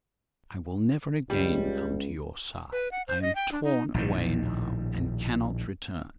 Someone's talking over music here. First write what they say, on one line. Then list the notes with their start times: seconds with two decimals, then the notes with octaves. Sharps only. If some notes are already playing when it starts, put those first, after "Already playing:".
"I will never again come to your side: I am torn away now, and cannot return."
1.30 C#2 G3
2.72 B4
2.92 F#5
3.08 C5
3.22 D#5
3.35 G5
3.52 D4
3.64 D#4
3.94 A#1 A2 D#3